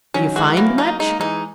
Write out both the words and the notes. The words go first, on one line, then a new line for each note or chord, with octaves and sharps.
"Do you find much?"
D#3 F#3 C#4
E3 G#3 F#4
E3 F#3 A#3
D#4
G#3 D#4
A#3
E3 G#3 D#4